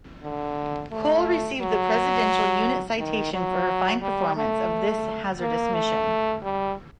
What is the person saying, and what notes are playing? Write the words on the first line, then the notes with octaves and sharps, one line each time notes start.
"Cole" received the Presidential Unit Citation for her fine performance of this hazardous mission.
D3
A3
F#3
D#3
F#3
G3
A3
A#3
A3
G3